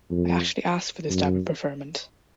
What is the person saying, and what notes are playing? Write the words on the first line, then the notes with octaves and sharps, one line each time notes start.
I actually asked for this dab of preferment.
F2
F#2